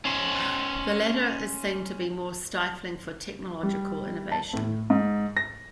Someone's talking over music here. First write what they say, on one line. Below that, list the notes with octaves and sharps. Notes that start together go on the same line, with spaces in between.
The latter is seen to be more stifling for technological innovation.
C#4 C5
G3
A5
A2
G#2
A#6